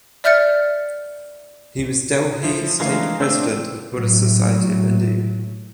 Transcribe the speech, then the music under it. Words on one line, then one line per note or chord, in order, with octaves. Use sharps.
He was Delhi state president of Buddhist Society of India.
D5 E5 F6 G6 A6 C#7
F3 E4
D3 E3 G#3 A3 A#4 F5
A3 C4 D4 C5 E6
A2 F#3